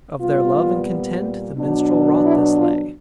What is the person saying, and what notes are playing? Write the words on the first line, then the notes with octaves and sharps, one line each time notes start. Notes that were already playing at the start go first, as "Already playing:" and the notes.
Of their love and content the minstrel wrought this Lay.
A#2 G3 B3 F4
B2 F#3 B3 D4
E4
F4